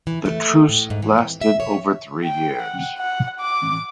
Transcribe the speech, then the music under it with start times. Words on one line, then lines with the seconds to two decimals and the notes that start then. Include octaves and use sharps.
The truce lasted over three years.
0.07 E3
0.26 A3
0.69 A2
0.90 G#2
1.02 E3
1.18 C4
1.41 E5
1.60 C#5
2.25 G5
2.62 F#5
2.99 F#5
3.41 D6